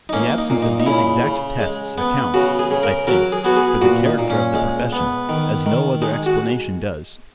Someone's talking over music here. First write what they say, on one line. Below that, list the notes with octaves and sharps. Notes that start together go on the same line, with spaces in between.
The absence of these exact tests accounts, I think, for the character of the profession, as no other explanation does.
D#4
A#3 C#4
D#4
A#2
D#4
D#4
C#3 E4
C#3
G#3
B3
C#3 F#4
G#4
C#3
A#4
F#3 A#4
G#4
B3 F#4
G#4
A#2 F#4
D#4
A#2
C#4
G#3
B3
D#3
D#3
G#3 D#4
F#4